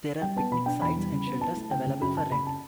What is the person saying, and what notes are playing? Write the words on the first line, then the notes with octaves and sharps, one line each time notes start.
There are picnic sites and shelters available for rent.
G3 G5
B3 A5
B2 B5
D4 G5
E2 B5
G3
C#3
B3
E4 A5
A3
C#3 G5
C#3
F#2 B5
F#2 A5
C#3 B5
A5